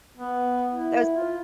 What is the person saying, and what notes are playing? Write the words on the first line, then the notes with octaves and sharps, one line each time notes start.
That the
B3
E4
F4